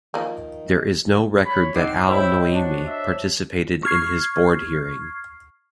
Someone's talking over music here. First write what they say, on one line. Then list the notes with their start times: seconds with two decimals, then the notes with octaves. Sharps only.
There is no record that Al Noaimi participated in his Board hearing.
0.14 D#3 F3 A#3
1.45 C#5 B5
1.76 C4 D#4 F#5 D6 C7
2.08 E4 C5 C#5 D#5 G5
2.52 D4 F#4
2.86 E5
3.83 C#6 F6 G#6 C7